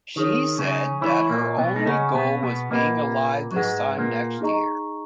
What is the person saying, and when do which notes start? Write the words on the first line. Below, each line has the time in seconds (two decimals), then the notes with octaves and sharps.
She said that her only goal was "being alive this time next year".
0.16 D#3 D#4 G#4 C#5
0.58 C#3 C#4
1.01 E3 E4 C#5 G#5 C#6
1.30 A#2 A#3
1.58 B2 B3
1.76 D#4
1.86 C#3 C#4 G#4 D#5 F#5 C#6
2.15 B2 B3
2.43 B2 B3
2.71 A#2 A#3 B4 D#5 F#5 B5
3.51 F#3
3.56 G#2 G#3 G#4 B4 F#5
3.98 A#2 A#3
4.40 D#4 G#4 D#5 A#5 C#6